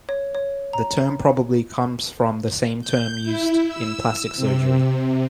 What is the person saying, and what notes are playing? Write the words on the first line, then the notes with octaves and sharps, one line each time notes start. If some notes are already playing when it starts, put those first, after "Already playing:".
The term probably comes from the same term used in plastic surgery.
C#5
C#5
A#5
G6
E4
E6
C3